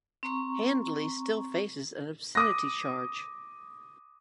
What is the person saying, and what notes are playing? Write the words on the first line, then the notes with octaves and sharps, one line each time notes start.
Handley still faces an obscenity charge.
C4 A#5 C#6
D6 D#6 A#6